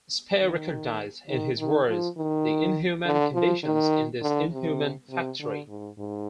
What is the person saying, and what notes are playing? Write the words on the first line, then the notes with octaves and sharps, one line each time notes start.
Speer recognized, in his words, the inhuman conditions in this inhuman factory.
D#3
D#3
D#3
F3
D#3
D3
F3
D#3
D3
C3
C3
D3
G#2
G#2